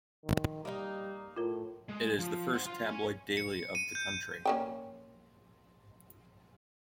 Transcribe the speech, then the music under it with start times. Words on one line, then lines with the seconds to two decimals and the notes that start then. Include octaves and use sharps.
It is the first tabloid daily of the country.
0.24 D#3
0.65 G3 A#3 D#4
1.36 A2 F4 A#4
1.89 G#3
2.19 F3
2.54 C5 F#5
2.66 F4
2.87 C#5 G#5
3.37 C#7
3.75 D#7
3.95 G6
4.45 A#3 C#4 G5